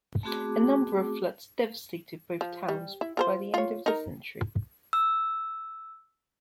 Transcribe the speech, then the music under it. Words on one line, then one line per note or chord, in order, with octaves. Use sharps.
A number of floods devastated both towns by the end of the century.
A3 B3 C4 F#4 G#4 D6
F3
G3
E4
F4 A#4 C5
F4 C#5
D#4 A#4
E6